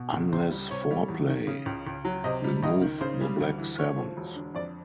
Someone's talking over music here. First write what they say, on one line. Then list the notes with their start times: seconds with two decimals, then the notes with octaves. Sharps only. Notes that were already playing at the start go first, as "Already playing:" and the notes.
Unless four play, remove the black Sevens.
Already playing: B2
0.12 C#2
0.33 C#2 C5
0.51 G3
0.71 C3 C#5
0.90 G3
1.08 E2
1.28 D#3
1.47 C#3
1.66 C#2
1.87 C#2
2.05 F#3
2.24 C3 D#5
2.44 G3
2.63 C#2 D#5
2.81 D#3
3.01 C#3 C5
3.21 G3
3.40 D2
3.58 E3
3.78 D2 C#5
3.97 F3
4.17 E1
4.36 D3
4.55 F2 D5